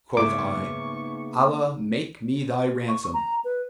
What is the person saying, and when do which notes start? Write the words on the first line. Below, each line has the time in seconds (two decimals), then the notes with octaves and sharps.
Quoth I, 'Allah make me thy ransom!
0.17 G#2 C#3 A#3 B3 E5 C#6 D6
2.89 C#6
3.14 A#5
3.45 B4